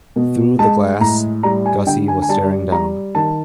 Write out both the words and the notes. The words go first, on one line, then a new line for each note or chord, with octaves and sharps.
Through the glass, Gussie was staring down.
B2
G#3 A5
A2 A#5
G3 A#5
G#5
D3 G5
G#5
G#5
G3 A5
G3 A#5
D#3 A5